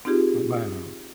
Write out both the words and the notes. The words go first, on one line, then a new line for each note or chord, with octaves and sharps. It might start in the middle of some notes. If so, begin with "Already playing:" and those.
Oh, wow.
C4 D#4 F4 G4 G#4